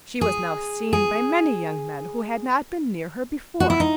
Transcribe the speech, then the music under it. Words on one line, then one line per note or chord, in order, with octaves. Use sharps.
She was now seen by many young men who had not been near her before.
G#4
G#4
F#4
E4
D#4